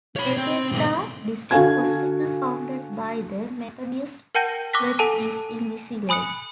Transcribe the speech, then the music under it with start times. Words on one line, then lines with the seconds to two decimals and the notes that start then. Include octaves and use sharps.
Bethesda district hospital, founded by the Methodist Church is in this village.
0.16 C#5 B5
0.37 C4
0.72 B1 G#2
1.51 D3 F#4 A4 F5 G#5 G#6
4.35 A#4 F#5 G5 A5 G6 A#6
4.74 C#6 D6 E6 F#6 A#6 B6
4.99 A4 F#5 G#5 A5
6.09 G#5 B5 D#6 F#6 C#7